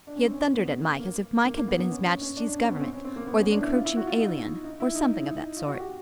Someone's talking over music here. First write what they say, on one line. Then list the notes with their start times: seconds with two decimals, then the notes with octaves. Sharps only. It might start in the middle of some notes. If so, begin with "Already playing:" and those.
He had thundered at Mike as if Mike had been his Majesty's Government or the Encroaching Alien, or something of that sort.
0.07 D4
0.16 C#4
0.24 C4
0.33 C#4
0.54 B3
0.99 A#3
1.45 A#3
1.57 A#3
1.68 B3
1.79 B3
1.91 C#4
2.06 C#4
2.21 C#4
2.37 D4
2.48 D4
2.59 C#4
2.71 B3
2.76 C#4
2.81 C4
2.93 C#4
3.05 C4
3.16 A#3
3.27 B3
3.39 C#4
3.51 D4
3.62 E4
3.74 F4
3.85 E4
3.96 F#4
4.07 F4
4.19 D#4
4.64 D#4
4.80 E4
4.95 D#4
5.11 E4
5.57 F4
5.68 F#4
5.80 G4